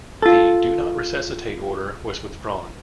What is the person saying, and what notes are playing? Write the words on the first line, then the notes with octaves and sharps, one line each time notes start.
The "do not resuscitate" order was withdrawn.
F4 A4